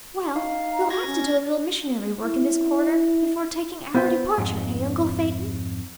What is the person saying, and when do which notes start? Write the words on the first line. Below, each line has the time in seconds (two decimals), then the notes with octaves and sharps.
"Well, we'll have to do a little missionary work in this quarter, before taking our departure, eh, uncle Phaeton?"
0.36 D#4 F5
0.71 A#5
0.90 F#4 G#6 A#6
1.06 C#4
2.24 E4
3.95 B3 C5 E5 G5
4.38 F2 G#2